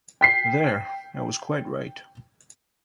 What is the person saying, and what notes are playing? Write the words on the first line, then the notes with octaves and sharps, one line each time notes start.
There I was quite right.
G5 B6 C7